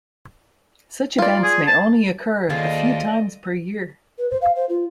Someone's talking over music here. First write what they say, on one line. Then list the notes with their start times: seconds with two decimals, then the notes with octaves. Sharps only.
Such events may only occur a few times per year.
1.18 F4 D5
1.43 G#4
1.67 A5
2.49 D#2 F4 G#4 A4 C5 D5 D#5
4.18 B4
4.30 C5
4.41 F5
4.55 C5
4.69 F4